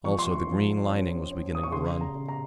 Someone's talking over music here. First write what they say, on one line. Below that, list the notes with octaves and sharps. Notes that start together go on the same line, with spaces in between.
Also the green lining was beginning to run.
F3 C#6
C6
C#6
F3
C#4
C#4
D#6
C#6
C#3 C6
A#5
C#3
A#5